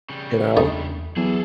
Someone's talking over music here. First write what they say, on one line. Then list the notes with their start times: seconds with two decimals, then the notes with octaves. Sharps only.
You know.
0.10 C#3 G3
0.57 E2 A3 D4 D#4
1.17 E2 F#3 G#4 A4